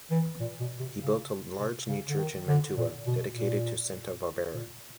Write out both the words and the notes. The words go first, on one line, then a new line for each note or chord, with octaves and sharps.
He built a large new church in Mantua, dedicated to Santa Barbara.
E3
A#2
B2
C3
C#3
C3
C#3
D3
D#3
D3
A#2
B2
A#2
A#2